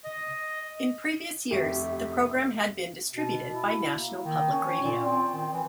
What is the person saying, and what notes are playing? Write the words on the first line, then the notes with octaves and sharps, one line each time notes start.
In previous years, the program had been distributed by National Public Radio.
D#5
F1 C3 G4 E5 C#6
B2
E4
A#3
D#3
C#4
A#2
C4
D#3
E3